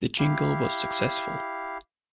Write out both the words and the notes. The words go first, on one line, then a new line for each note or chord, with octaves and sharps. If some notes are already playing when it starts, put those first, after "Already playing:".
The jingle was successful.
E4 G4 F5